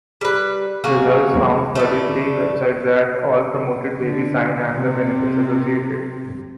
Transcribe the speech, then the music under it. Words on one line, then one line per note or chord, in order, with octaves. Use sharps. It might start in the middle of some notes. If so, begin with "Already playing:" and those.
Results found thirty-three websites that all promoted baby sign and the benefits associated.
G3 B4
F#3 A#3 F#4 G#4
A3 E4 D5
D3
C3